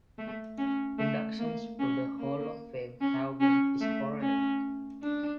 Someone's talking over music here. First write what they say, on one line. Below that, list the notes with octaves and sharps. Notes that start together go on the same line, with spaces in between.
Inductions to the hall of fame have been sporadic.
A3
C#4
A3
A#3
C#4
A#3
C#4
C#4
A3
C#4
D4